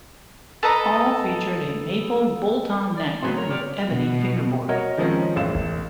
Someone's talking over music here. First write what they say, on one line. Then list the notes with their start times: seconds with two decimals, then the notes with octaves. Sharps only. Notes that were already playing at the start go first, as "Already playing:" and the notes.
All featured a maple bolt-on neck with ebony fingerboard.
0.63 A4 B4 D#5 A#5
2.97 D5
3.23 C#3 F#3 A3 B3 C4 F#4 B5 C6
3.36 A#4 C#5
3.50 D5 G5 F6
3.87 B2
4.69 F#4 A#4 C#5 D#5
4.98 D#3 F3 G#3 C4 C#4 D#4
5.36 E1 A1 F5 E7